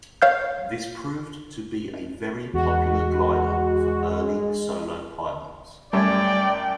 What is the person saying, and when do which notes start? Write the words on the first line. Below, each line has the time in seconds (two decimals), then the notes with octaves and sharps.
This proved to be a very popular glider for early solo pilots.
0.22 C#5 F5 F6 G6
2.54 E2 G#3 F#4
5.93 F#2 G3 A3 C#4 D5 G5 G#6